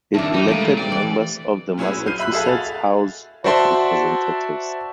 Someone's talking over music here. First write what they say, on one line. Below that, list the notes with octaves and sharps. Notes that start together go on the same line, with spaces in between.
It elected members of the Massachusetts House of Representatives.
F2 D#3 G3 D4 E4 A5
E3 D#4
A#2 G#3 A3 F5
C4 G4 D5
E3 D5
A#2 C#4 E4 G#4 B4
F#3
F6 G6 C7 D#7
E5 B5 F#6 F#7
F#4 G#4 A4 E5 F5 G#5
A6 F7
F#4 C5 D5 E5 A5 C6